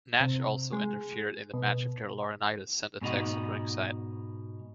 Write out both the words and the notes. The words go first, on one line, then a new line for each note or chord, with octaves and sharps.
Nash also interfered in the match after Laurinaitis sent a text at ringside.
C3
G#3
B2
G#2 B2 D#4 F#4